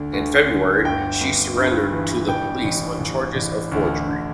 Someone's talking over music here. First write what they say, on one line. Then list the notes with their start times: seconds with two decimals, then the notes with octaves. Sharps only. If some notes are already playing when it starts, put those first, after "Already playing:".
In February, she surrendered to the police on charges of forgery.
Already playing: D2 D3
0.13 D2
0.49 D2
0.85 G1 G5
1.21 G1
1.57 G2
1.93 E3
2.29 A1 G5
2.64 A1
3.00 A1
3.36 A1
3.72 D2
4.07 D2